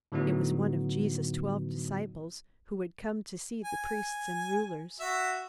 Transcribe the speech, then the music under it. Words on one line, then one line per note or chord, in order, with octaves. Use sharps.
It was one of Jesus' twelve disciples, who had come to see the priests and rulers.
A2 D3 F#3 B3 D#4 F#4
G#5
F#4 E5